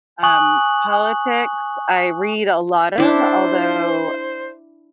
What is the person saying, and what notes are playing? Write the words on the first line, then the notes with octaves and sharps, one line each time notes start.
Um, politics I read a lot of, although
G#5 C#6 D#6 F#6 F#7
D4 E4 C5